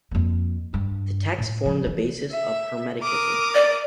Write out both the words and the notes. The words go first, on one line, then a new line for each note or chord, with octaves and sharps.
The texts form the basis of Hermeticism.
F2 A#3
G2
A2
F3
E3
E5
A#4 D6 D#6
D5